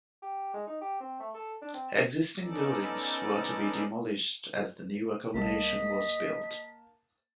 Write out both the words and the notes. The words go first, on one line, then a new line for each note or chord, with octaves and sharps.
Existing buildings were to be demolished as the new accommodation was built.
G4
G#3
D#4
G4
C4
A3
A4
D4
C4
B3 C#4 D#4 A4 D5
B1 G3 A#3 D#5 A5 B6